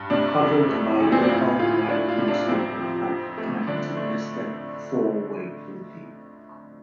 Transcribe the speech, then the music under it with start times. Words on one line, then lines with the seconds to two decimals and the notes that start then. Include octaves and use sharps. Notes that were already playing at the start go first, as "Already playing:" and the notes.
Coverage by local white newspapers at the time suggested the four were guilty.
Already playing: G2
0.10 C3 D4
0.39 F2
0.69 A3
1.00 D2
1.12 C4
1.21 D4
1.29 A2 F4
1.59 A2 F4
1.88 A3 D4
2.09 F4
2.18 C3
2.28 D4
2.48 F2 C4
2.79 F3
3.07 F2
3.38 A3
3.67 D3 D4
3.96 A3